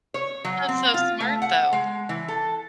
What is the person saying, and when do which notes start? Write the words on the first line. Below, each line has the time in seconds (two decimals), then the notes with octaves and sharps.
That's so smart, though.
0.14 C#5
0.45 F#3
0.69 C4
0.94 F4
1.20 A3
1.42 F#5
1.73 G#3
2.09 E3
2.28 A4